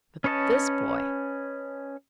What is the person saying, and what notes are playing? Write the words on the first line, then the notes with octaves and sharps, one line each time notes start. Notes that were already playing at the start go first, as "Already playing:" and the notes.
But this boy....
C#4 B4 C#5 D#5 A5